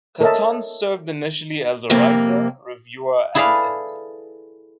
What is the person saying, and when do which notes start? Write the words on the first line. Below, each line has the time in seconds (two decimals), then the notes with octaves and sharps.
Catton served initially as a writer, reviewer, and editor.
0.21 A4 A#4 C#5 D#5 E5 A5
1.90 F2 C3 A#3
3.35 E4 G#4 A4 B4 D5 F5